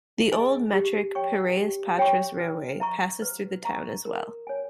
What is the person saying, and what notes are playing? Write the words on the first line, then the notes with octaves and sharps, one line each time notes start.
The old metric Piraeus-Patras railway passes through the town as well.
G#4 D#5 G#5
G4
C#5 G5 C#6
G4
C#5 G5 C#6
B4
E5 A#5 C#6
B4
E5 A#5 C#6
A#4
C#5 G#5